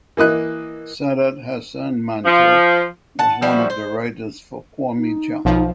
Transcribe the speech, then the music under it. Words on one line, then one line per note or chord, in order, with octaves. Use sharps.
Saadat Hasan Manto was one of the writers for "Qaumi Jang".
E3 A#3 D#5 F#6
F3
F#5 A5
F3 G3 E4 F#4
C5
D#4
B1 F3 D#4